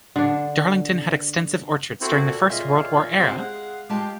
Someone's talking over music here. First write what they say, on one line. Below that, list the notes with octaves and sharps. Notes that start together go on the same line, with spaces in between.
Darlington had extensive orchards during the First World War era.
D3 D4
C4 E4 F#4 A4 C5
A#2
F4 G#4 C#5 D#5 E5
C4 G4
G#3 F5 F#5
G#3 F4 G4 A5